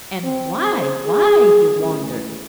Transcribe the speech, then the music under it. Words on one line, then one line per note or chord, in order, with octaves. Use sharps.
"And why--why?" he wondered.
C4
C5
G#4
A1